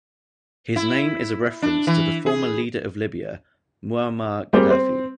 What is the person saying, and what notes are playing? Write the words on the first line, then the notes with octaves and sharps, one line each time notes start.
His name is a reference to the former leader of Libya, Muammar Gaddafi.
E4
D4
E3
G#4
G3 A#3 C4 G4 G#4 C5
C4